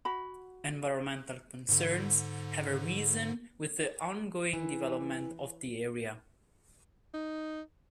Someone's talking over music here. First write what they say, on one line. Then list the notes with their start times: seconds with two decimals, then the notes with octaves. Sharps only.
Environmental concerns have arisen with the ongoing development of the area.
0.05 F#4 B5
1.69 G#2 D3
4.53 E3
7.14 D#4